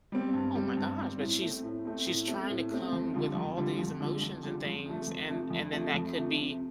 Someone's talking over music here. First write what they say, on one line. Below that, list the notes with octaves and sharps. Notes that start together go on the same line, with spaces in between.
oh my gosh, but she's she's trying to come with all these emotions and things, and and then that could be
G3 C4
G2
G3 C4
G2
G3 C4
A2
A3 C4
A2
A3 C4
A2
A3 C4
A2
A3 C4
F2
D3 G3 F4
F2
D3 G3 F4
F2
D3 G3 F4
F2
D3 G3 F4
F2
C3 F3 A3
F2
C3 F3 A3
F2
C3 F3 A3
F2
C3 F3 A3
C3